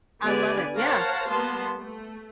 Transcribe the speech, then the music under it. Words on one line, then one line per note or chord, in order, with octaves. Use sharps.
I love it, yeah,
D3 B3 G4 B4 D5 G#5
A#4 C5 C#5 F5 F#5 A5
G3 A#3 B3 A5 C6
A3